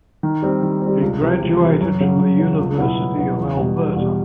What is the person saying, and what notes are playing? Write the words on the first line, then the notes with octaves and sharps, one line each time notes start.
He graduated from the University of Alberta.
D#3
G3 C4
D#3
G3 C4
C#2
C3 E3
C#2
C3 E3
F#2
C#3 F#3
F#2
C#3 F#3
C#2
B2 F#3 B3 E4
C#2
B2 F#3 B3 E4
E2
B2 G3
E2
B2 G3